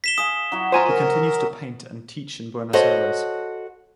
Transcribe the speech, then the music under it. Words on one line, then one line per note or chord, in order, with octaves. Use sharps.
He continues to paint and teach in Buenos Aires.
B6 E7 G7
G#4 F5 D#6
F#3 E4 F#4
F4 C5 C#5 G#5 A#5
A#4
F#4 A4 C5 C#5 D#5 F#5